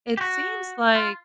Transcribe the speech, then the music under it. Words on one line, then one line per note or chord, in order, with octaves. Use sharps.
it seems like
G4
F#4
F4